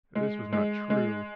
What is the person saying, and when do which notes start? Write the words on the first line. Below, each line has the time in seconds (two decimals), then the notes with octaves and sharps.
This was not true.
0.15 G#3
0.53 G#3
0.90 G#3